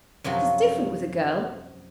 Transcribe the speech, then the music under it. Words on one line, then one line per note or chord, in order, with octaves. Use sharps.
It is different with a girl.
F#2 C3 F3 F#3